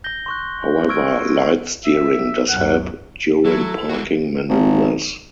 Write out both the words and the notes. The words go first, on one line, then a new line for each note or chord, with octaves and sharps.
However, light steering does help during parking maneuvers.
G6 A#6 G7
C6 C#6 F#6
C#6 E6 F6 G#6 D7
E5
C#2 F#2 F#5
F#3 E4 A4
G#3 F#4
G#1